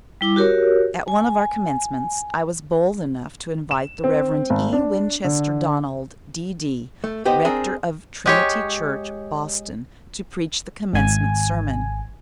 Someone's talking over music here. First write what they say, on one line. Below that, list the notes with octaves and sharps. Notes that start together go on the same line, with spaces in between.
At one of our Commencements I was bold enough to invite the Rev. E. Winchester Donald, D.D., rector of Trinity Church, Boston, to preach the Commencement sermon.
G3 E4 D6
F#4 G4 A#4 C#5
G#5
E7
C4
G#1
D4
D3
A3
B3 D#4 G4 C5
C4 D4 G#4 A#4
G#3 G4 C#5
G#1 G#5